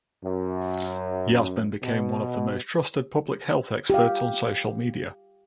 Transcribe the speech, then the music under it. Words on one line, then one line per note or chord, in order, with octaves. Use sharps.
Yasmin became one of the most trusted public health experts on social media.
F#2
B2
G4 F5